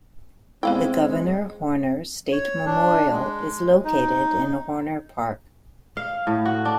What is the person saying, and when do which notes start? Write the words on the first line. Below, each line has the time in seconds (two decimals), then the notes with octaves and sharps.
The Governor Horner State Memorial is located in Horner Park.
0.63 B2 G#3 C4 E4 B4 F5 G5
2.32 C#5
2.66 D4
3.11 G#3
3.85 D#4
5.97 F5
6.27 A2
6.45 F#4
6.65 D4